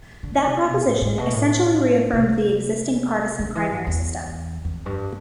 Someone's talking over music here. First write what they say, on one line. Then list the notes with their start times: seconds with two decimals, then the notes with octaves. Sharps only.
That proposition essentially re-affirmed the existing partisan primary system.
0.23 D3
0.45 C3
0.65 B2
0.86 A2
1.02 A2
1.18 B2
1.33 A2
2.13 C3
3.39 D3
3.55 E3
3.71 G2
3.87 E2
4.65 F2
4.86 G2